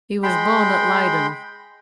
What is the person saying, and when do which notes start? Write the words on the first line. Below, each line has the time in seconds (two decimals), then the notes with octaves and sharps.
He was born at Leiden.
0.23 G#3 G5 B5 C6